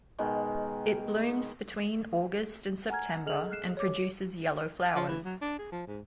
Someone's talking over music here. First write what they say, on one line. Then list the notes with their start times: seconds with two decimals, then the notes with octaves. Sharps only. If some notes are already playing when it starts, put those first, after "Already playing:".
It blooms between August and September and produces yellow flowers.
0.19 B2 D#3 G#3
2.90 F#5 G#5 A#5 F6 G#6
3.26 G#4 A4 D#5 F6 F7 F#7
3.51 F6 F#6 C7 E7
3.77 C#5 D6
4.96 F3
5.08 E3
5.25 F#3
5.41 D4
5.59 G#4
5.72 F3
5.87 G#2